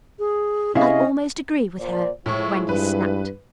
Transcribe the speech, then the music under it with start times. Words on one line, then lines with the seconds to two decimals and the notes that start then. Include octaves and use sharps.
'I almost agree with her,' Wendy snapped.
0.19 G#4
0.75 C3 C#4 E4 G#4 D#5 F5
1.79 A#2 C5 D5
2.26 A2 F3 G#3 E4 C#6
2.69 G2 B4